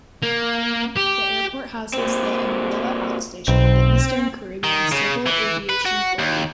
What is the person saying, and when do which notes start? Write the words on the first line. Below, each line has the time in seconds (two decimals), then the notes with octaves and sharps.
The airport houses the Anguilla Outstation of the Eastern Caribbean Civil Aviation Authority.
0.22 A#3
0.96 G4
1.94 A#2 C4
3.48 B1 C4
4.64 D#3
4.92 C#3
5.26 E3
5.69 B4
5.85 F#4
6.19 D#2